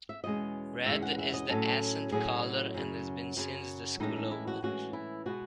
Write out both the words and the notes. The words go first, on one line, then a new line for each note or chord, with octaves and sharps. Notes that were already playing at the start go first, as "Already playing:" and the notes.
Red is the accent color and has been since the school opened.
E5
E2 B2 G#3 C#4 D#5
E2 B2 G#3 C#4 E5
F#5
E5
D#5
A2 F#3 C#4 A4
A2 F#3 C#4 G#4
F#2 C#3 F#3
F#2 C#3 F#3
A2 E3 G#3 C#4 D#4
D#4
E4
F#4
A2 E3 G#3 C#4 F#4
E4
B2 G#3 B3 F#4